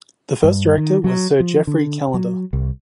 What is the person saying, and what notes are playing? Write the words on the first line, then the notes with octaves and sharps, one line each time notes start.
The first Director was Sir Geoffrey Callender.
G2
D#3
F#3
F3
D3
F#3
C2